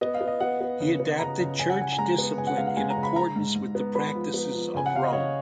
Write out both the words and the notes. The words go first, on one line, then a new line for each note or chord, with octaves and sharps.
He adapted Church discipline in accordance with the practices of Rome.
B3 D#5
F5
B3
D#5
B3 F#5
B3
C#3
B3
C#3 A#5
C#3
C#3 G#5
F#5
C#3 G#5
G#5
G#3 A#5
B3
C#3 G#5
F#5
G#3 F5
F#5
G#3 G#5
A#5
C#3
B5
G#3 A#5
G#2
G#2
B3
B3 B5
F3
B3
F3
C#3 G#5
F#5
C#3 F5
D#5
C#3 C#5